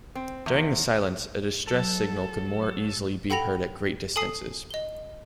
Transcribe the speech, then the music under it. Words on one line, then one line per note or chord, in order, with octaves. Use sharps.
During the silence, a distress signal could more easily be heard at great distances.
C4
E2
F#3 A4
A4 F#5 G5 B5 A#6 F7
A4 G#5 A5 D#6 C7
D#5 G7